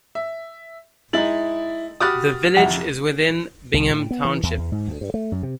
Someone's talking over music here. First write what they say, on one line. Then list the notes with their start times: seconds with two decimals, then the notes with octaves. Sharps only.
The village is within Bingham Township.
0.15 E5
1.13 G#3 D#4 E4 A6 F#7
2.00 F#4 G4 B5 D6 D#6 F6 F#6 A6
2.57 F2 C3 E4 F#5
3.74 C2
3.90 A2
4.11 B3
4.25 E3
4.43 E2
4.58 E2
4.72 G#2
4.88 D2
5.01 G2
5.14 A3
5.32 F#2
5.43 C3